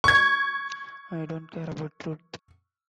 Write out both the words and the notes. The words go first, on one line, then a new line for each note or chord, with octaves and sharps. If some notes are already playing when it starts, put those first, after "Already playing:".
I don't care about truth.
C#6 G#6